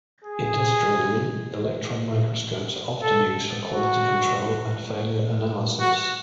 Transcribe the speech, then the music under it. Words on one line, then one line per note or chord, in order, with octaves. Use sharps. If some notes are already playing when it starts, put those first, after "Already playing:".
Industrially, electron microscopes are often used for quality control and failure analysis.
G#4
A4
F#4
F#4